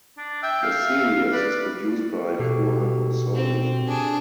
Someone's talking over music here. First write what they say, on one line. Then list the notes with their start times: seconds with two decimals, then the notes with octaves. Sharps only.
The series is produced by Juan Osorio.
0.17 D4
0.43 E5 G5
0.62 F5
1.32 B4 D5
2.39 B2 F#4 G4 A4
3.34 C4
3.88 D4 G#4